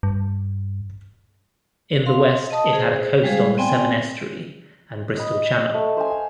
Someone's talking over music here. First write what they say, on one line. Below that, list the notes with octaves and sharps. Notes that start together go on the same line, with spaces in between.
In the west it had a coast on the Severn Estuary and Bristol Channel.
G2
F5 C6
D#5 A5 D#6
G#4 C5
G3 G#3 G#4 C5 F5
B3 C4 D5 G5 G#5 C6
D#5 B5
A3
C5 F5 G#5